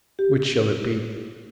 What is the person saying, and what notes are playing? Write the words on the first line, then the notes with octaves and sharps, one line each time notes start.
Which shall it be?
G4